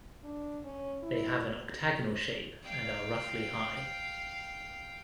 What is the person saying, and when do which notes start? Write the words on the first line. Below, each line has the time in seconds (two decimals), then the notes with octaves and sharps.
They have an octagonal shape and are roughly high.
0.24 D4
0.64 C#4
1.03 E4
1.44 B2
1.83 C#3
2.62 F5 G5